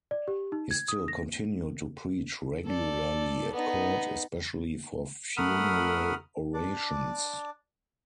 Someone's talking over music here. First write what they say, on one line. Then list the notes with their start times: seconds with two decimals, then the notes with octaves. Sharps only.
He still continued to preach regularly at court, especially for funeral orations.
0.11 D5
0.28 G4
0.52 D#4
0.71 G#6
0.88 D#6
1.08 A#6
2.66 A4 D5
3.53 B3 D#4
5.37 A3 A#4 F#5 B5 D#6 F6
6.54 D4 D5